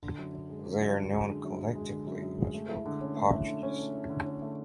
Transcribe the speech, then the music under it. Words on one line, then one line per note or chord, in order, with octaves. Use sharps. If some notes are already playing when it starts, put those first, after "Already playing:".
They are known collectively as rock partridges.
D3
F#2
F#2
G#3
D3
F#2
F#2
G#3
D3
F#2
F#2
G#3
D3
F#2
F#2
G#3
A3
E4
D3
C#4
A3
E4
D3
C#4
A3
E4
D3
C#4
A3